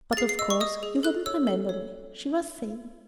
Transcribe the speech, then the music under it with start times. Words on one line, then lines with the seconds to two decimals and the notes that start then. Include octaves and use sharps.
"But of course you wouldn't remember me," she was saying.
0.13 A6
0.17 G#4 C7
0.29 C7
0.39 D#5 E6
0.50 C#6
0.61 D#5 D#6
0.83 G#4
1.03 A4 F#6
1.26 C#5 E6
1.47 A4
1.69 C#5